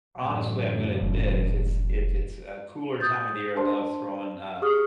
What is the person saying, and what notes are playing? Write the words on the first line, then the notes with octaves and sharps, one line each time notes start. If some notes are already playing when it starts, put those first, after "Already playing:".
honestly, I'm gonna admit, if it's if it's a cooler time of the year, I love throwing uh,
A1 F#2 D3
F1
D#6 G6 A6
D4 A#4 C5 A5 C6
G4 G#4 C#6 D#6 F6